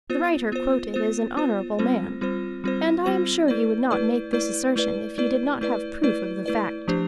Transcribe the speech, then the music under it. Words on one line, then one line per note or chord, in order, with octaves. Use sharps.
The writer quoted is an honorable man, and I am sure he would not make this assertion if he did not have proof of the fact.
B3 F4 C5
B3 F4 C5
B3 F4 C5
B3 F4 C5
G3 C4 F4 C5
G3 C4 F4 C5
G3 C4 F4 C5
G3 C4 F4 C5
A3 E4 B4 D5
A3 E4 B4 D5
A3 E4 B4 D5
A3 E4 B4 D5
A3 E4 B4 D5
A3 E4 B4 D5
A3 E4 B4 D5
A3 E4 B4 D5
F3 A3 D4 G4 C5